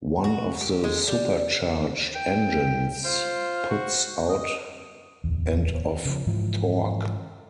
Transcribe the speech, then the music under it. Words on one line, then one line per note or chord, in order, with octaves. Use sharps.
One of the supercharged engines puts out and of torque.
F#4
G4
G#3
G3
G5
F4 C5
F#4
D#5
D1 E2
C#3 F3
G#2 E3 F3